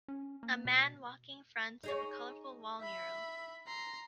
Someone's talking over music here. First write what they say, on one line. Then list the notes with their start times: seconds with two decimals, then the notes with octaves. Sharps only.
A man walking in front of a colorful wall mural.
0.08 C#4
0.43 A#3
0.65 B2
1.83 D#4 G#4 C#5
2.80 E5 B5
3.67 A#5 C6